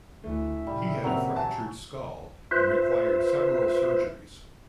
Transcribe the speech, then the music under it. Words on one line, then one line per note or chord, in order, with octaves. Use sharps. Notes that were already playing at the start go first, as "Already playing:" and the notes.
He had a fractured skull and required several surgeries.
D2 E3 A3 E5
A#2 C#3 G3
F#3 A#3 C4 F7
G#5 A5
F4 B4 C5 E5